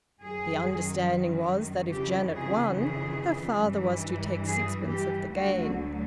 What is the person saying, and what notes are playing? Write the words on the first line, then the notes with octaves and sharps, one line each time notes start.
The understanding was that if Janet won, her father was to take sixpence of the gain.
F#2 D#3 F#3 G#4
F2 C#3 E3 G4
G#4
G#4
G2 E3
G#4
G4
D2 D3 F#3 F#4